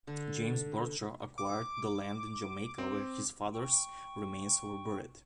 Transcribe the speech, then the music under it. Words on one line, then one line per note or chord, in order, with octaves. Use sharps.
James Bradshaw acquired the land in Jamaica where his father's remains were buried.
D3
D6
C4
G5 C#6